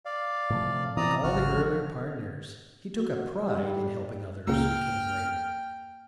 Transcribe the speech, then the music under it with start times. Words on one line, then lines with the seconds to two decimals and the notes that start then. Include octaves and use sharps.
Like all the earlier pioneers, he took a pride in helping others who came later.
0.05 D5 F5
0.50 A2 C3 F3
0.97 C3 E3 C4 D5 A#5 D#6
1.23 G#1 C#3 F#4 F6
1.56 F3
2.96 F#4
3.40 G3
4.47 C#2 A#2 C#3 A#3 G5 F6